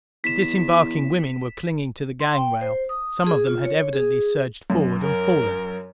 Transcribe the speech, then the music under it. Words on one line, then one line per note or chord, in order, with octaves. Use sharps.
The disembarking women were clinging to the gang rail; some of them had evidently surged forward and fallen.
E2 B6 E7
C6
G5
C5
D#6
G#4
F4
C#5
G#4
F#2
A#4